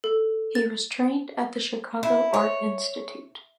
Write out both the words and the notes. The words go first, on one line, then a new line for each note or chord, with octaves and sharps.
He was trained at the Chicago Art Institute.
A4
A6
E4
C#5